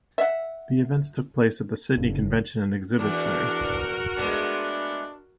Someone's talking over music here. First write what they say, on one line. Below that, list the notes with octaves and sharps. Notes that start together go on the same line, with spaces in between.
The events took place at the Sydney Convention and Exhibition Centre.
E5 F#5
F#1
E2 D4 F#4 A#4
G#3 A3 B3 D4